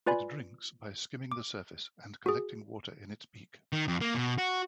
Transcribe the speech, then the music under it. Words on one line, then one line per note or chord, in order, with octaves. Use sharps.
It drinks by skimming the surface and collecting water in its beak.
F4 B4 D5 G#5 B5
D6
F#4 G#4
D#3
F2
A#3
B2
F#4